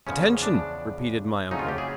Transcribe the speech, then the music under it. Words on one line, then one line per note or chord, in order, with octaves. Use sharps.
"Attention!" repeated my uncle.
E2 C#3 F3 C#4
D4
F2 C#3 F#3 A3 C#4 D#4
F4
G4
G#4